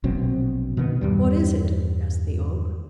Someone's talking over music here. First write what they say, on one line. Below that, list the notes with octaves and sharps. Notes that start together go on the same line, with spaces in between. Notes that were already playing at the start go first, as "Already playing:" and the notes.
"What is it?" asked the Oak.
A#1 B2 F#3 C4
B2 D#3 A#3 B3
E2 G2 G3